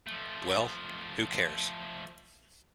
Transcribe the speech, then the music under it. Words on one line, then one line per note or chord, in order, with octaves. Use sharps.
Well, who cares?
F3 A3